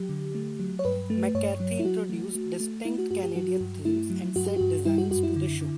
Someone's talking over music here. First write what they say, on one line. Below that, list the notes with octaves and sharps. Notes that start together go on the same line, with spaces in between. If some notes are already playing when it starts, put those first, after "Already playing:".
McCarthy introduced distinct Canadian themes and set designs to the show.
Already playing: F#3 G4
D3
A3
F#3
C#5
G2 B4
A3
G2 C#5
F#3
E4
F#3 F#4
A3
A3
A3
A3 E4
F#4
G2 F#4
G4
F#3 F#4
G2
A3 E4
F#3
G2 F#4
G4
G2 F#4
G3 E4
F#4
F#2 F#4
E4
D3
D3